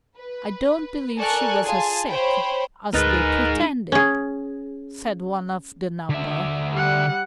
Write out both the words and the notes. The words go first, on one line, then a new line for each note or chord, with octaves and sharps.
"I don't believe she was as sick as they pretended," said one of the number.
B4
A4 A#4 D5 G#5 C#6 F#6
F4 G#4 G#5 A5
C5 C#5 G5 B5
D2 D#4 G#4 A#4 B4 D#5 A6
C#4 G#4
D3 E5
G3 F#5